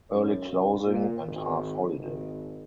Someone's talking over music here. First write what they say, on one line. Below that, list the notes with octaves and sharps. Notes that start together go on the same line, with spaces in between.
Early closing and half holiday.
F#2
C#2
A#2
G#1
G#1